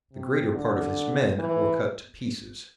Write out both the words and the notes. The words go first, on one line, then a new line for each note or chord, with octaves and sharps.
The greater part of his men were cut to pieces.
C3
D3
E3